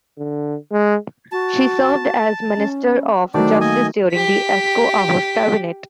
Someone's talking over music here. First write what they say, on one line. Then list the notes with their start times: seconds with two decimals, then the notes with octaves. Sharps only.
She served as Minister of Justice during the Esko Aho's cabinet.
0.18 D3
0.72 G#3
1.32 F#4 A5
2.57 C#4
3.34 D#3 F#3 A3 D4 C5 D5
3.61 A#3 D#5 G#5
4.12 G4 B6